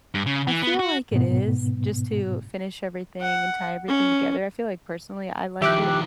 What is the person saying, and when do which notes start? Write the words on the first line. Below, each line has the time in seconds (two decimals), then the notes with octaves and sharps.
I feel like it is, just to finish everything and tie everything together. I feel like, personally, I liked it.
0.14 G2
0.26 C#3
0.48 E3
0.62 B3
0.79 F#4
1.11 G#2 B2 B3
3.21 F#5
3.88 C#4
5.62 D#3 F3 G4 E5 D6 F#6